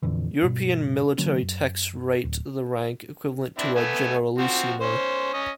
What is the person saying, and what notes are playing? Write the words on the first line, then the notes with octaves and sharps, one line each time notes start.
European military texts rate the rank equivalent to a "generalissimo".
F2 A#2 D3 E3
G2 B2
D3 F#3 A#3 C#4
F#2
D1
C4 D4 E4
A3 B3 G#5
F3 C4 F#4
C#4 C5
C#4 D#5